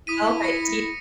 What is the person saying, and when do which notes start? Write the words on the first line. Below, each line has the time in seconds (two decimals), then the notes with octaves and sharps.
Okay, do you
0.07 E4 D#6 B6 D#7
0.41 A#6 C#7